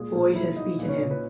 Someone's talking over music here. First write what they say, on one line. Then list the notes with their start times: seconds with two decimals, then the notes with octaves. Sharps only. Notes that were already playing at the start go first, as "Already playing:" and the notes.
Boyd has beaten him.
Already playing: A#2 G#3 G#4
0.13 A#2 A#3 A#4
0.35 F#3 E4 E5
0.57 A#2 D#4 D#5
0.79 A#2 B4
0.88 C#4 C#5
1.00 A#2
1.11 B4